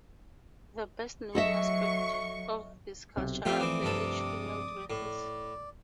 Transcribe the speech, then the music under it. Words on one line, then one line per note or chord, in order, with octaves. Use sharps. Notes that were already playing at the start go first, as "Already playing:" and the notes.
The best-known aspect of this culture are the rich female dresses.
F#3 A4 D#5 E5 C#6
B1 C3
F3 A3 C4 F4 G4 C5 E5 G5
E3 C4 D5 D6 D#6
G2 C3 A4
A2 D5